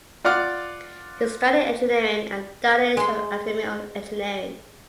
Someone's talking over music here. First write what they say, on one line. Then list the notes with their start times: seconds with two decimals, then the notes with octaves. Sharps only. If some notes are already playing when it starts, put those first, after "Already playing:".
He studied engineering at the Danish Academy of Engineering.
0.25 F4 D5 F#5 D6 F6
2.97 G#3 C6